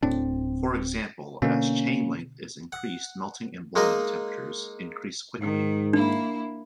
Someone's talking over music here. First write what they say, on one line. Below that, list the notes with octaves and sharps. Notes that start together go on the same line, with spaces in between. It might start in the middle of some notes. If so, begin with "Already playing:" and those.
For example, as chain length is increased, melting and boiling temperatures increase quickly.
D1 A2 C4 D4
B2 D3 A#3 C#4
F#5
G#3 A#3 D#4 D#5
G#2 D#3
A#3 D4 E4